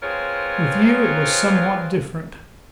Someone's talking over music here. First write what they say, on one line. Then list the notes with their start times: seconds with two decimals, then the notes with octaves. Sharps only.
With you it was somewhat different.
0.03 C4 F4 G#4 A#4 B4 C#5